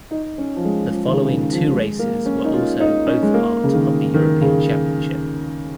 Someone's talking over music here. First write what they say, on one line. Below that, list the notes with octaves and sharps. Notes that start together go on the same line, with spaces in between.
The following two races were also both part of the European Championship.
D#4
C#4
F3
G#3
G#3
F3
D#3
C#3
D#3
F3
G#3
A#3
C#4
D#4
F4
D#4
C#4
G#3
A#3
C#3
D#3
D#3
C#3